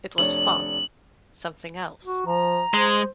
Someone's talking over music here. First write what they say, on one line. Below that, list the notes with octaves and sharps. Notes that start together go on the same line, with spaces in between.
It was fun, something else.
F1 D4 C#5 F#7
F#4
F3 A#5
G#3 C5